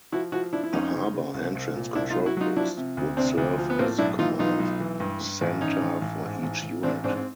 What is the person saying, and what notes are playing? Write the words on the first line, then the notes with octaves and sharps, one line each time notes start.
A Harbor Entrance Control Post would serve as the command center for each unit.
F3 E4 F#4
F3 E4 F#4
F3 D4 E4
E4
F2 C#4 D#4
C#3
C#3
C2
C2
A#2
C2 D4 E4
D#4 F4
F#3
E4 F#4
F#3 D#4 F4
F3 D4 E4
C3
D2
C3 C4 D4
D2
F3
B3
A2 A#3 C4
B1 D4 E4
E3 D#4 F4
B1 D#4 F4
B1
E3
G2
G2
A1
A1 C#4 D#4
A1
A1
G#2
A1
A1
A1 C4 D4
G#2 C4 D4
C4